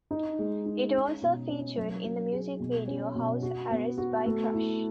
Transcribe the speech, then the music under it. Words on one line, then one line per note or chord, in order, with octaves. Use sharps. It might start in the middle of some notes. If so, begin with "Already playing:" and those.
It also featured in the music video "House Arrest" by Krush.
D#4
G#3
D#4
C#4
B2
C#4
F#3
F#3
G#4
B2
C#4
B2
F#4
B3
F#4
A3
E4